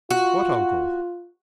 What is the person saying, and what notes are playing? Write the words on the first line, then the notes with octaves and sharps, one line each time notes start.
"What uncle?"
F4 F#4